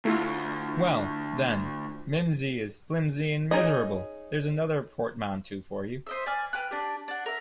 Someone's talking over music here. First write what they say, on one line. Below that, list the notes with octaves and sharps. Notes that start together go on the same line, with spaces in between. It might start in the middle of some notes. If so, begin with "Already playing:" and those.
Well, then, ‘mimsy’ is ‘flimsy and miserable’ - there’s another portmanteau for you.
D2 A3 E4 F4
C#4 D#4 G#4 D#5
C5 D#5 E5
D5 G#5 F6
B4 G5 F6 F#6
D4 G4
D4 F#5
A#4 E5